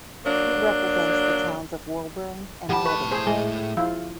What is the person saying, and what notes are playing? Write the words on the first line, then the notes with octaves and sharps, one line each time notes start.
He represents the towns of Woburn and Reading.
F#3 A#3 D4
A2 F3 G4 F#5 A5 B5
B4 C#6
G#4 C5
G#3 G#4 D#5 E5 G#5 G7
F3 E4 F4 F5 E6